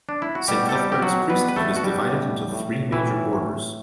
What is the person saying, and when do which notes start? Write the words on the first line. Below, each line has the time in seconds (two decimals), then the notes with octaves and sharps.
Saint Cuthbert's priesthood is divided into three major orders.
0.09 D4
0.22 E4
0.35 F#4
0.48 B2 G3 G4
0.69 A4
0.75 G3 G4
0.89 B2 G4
1.02 F#3 F#4
1.30 G3 B3 B4
1.48 B4
1.56 A3 A4
1.71 B2
1.76 F#4
1.84 G3 G4
2.11 A2
2.52 A2
2.92 A2 E3 E4
3.33 A2